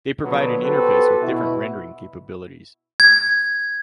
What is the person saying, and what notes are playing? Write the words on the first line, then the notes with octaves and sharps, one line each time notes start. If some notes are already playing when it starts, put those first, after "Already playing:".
They provide an interface with different rendering capabilities.
B2 D3 F3 F#3 B3
B3 F#4 G4 A4 B4 C5
B2 E4 F#4
G#6